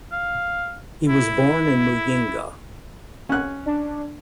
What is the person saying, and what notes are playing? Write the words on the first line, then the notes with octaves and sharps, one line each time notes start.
He was born in Muyinga.
F5
E4
C#4 F#6
D4